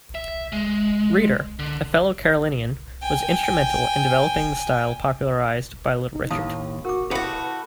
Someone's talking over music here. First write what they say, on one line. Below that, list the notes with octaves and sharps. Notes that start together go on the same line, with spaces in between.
Reeder, a fellow Carolinian, was instrumental in developing the style popularized by Little Richard.
E5
G#3
D3
G5 G#5
D#4
D#2 A2 F5 A5 D#6
F#4 A#4 D6
A3 E4 F#4 A4 B4 F#5